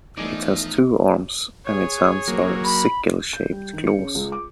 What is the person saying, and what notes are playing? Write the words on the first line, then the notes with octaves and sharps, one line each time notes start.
It has two arms and its hands are sickle-shaped claws.
E2 F3 A3 D#4 G#4 D5
G#4 C#5
F#3 A#3
B5
G6
G3
D#3
C#7
C#3
C#2
D6